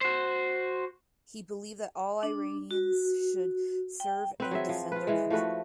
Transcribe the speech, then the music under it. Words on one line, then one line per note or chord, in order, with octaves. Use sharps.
He believed that all Iranians should serve and defend their country.
F#4 C5
D4
F#4
G5
C4 B4
F#3 G#4 E5
F3
F4 B4
E3 G#3
F3 A3 F#4 B4